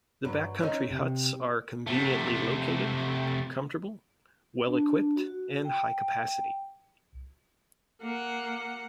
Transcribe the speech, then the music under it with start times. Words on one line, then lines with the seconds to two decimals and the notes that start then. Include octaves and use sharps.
The backcountry huts are conveniently located, comfortable, well-equipped, and high capacity.
0.25 G2 F#3
0.61 C4 C#4 D#4
0.91 C3
1.87 C3 A3
4.67 D4
5.16 F#4
5.65 G5
8.01 A#3 F#5